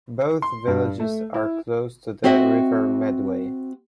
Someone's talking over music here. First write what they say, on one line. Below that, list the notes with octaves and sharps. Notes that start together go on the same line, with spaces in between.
Both villages are close to the River Medway.
C6
G2
A3
E4
C4 F#4 D#5 E5 F#5